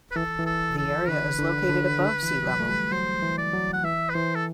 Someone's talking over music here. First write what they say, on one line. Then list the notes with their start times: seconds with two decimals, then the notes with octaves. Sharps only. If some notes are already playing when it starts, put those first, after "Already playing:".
The area is located above sea level.
0.12 B4
0.16 E3 A4
0.39 E3
0.46 A4
0.78 A4
1.08 D3 B4
1.38 D3
1.70 D3
2.00 D3
2.23 E3
2.46 F#3
2.60 A3
2.69 G3
2.92 F#3 C5
3.22 E3
3.38 D5
3.54 F#3
3.73 F#5
3.84 E3 E5
4.10 B4
4.15 E3 C5
4.35 A4